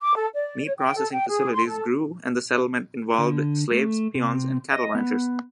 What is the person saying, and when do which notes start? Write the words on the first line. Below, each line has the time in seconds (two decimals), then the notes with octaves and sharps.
Meat processing facilities grew and the settlement involved slaves, peons and cattle ranchers.
0.01 D6
0.15 A4
0.34 D5
0.64 C#5
0.77 G5
0.97 A4
1.13 G5
1.28 G#4
1.54 C6
1.66 A4
3.18 D3
3.71 A3
4.15 C3
4.72 D#5
4.95 B3